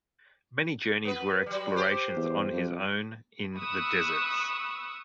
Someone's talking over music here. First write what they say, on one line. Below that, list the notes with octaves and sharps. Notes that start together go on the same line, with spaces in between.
Many journeys were explorations on his own in the deserts.
B3 B4
F#3 G3
G4 C5
E2
F2
B5 C#6 D#6 E6 F#6